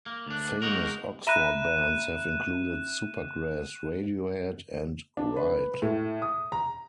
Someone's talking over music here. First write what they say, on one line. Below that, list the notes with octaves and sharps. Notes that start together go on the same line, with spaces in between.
Famous Oxford bands have included Supergrass, Radiohead and Ride.
A#3
D2 D4
G#3 A#3 D#4 F#4 A#4
E5 A#5 B5 F#6 D#7 E7
D4
B4
A2
D#6
A#5